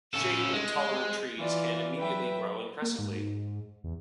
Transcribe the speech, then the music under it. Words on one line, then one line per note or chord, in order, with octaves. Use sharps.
Shade intolerant trees can immediately grow impressively.
C#4 A4
G#3
E3 F4 D5
F#3 B4 E5 G5
A#3
G#2
E2